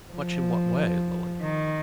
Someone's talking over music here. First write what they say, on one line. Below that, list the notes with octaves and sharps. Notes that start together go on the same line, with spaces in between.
"Much in what way, Lily?"
F3
D#3